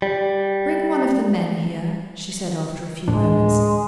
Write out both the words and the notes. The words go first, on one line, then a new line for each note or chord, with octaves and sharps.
"Bring one of the men here," she said, after a few moments.
G3
D2 A2 G#3 D4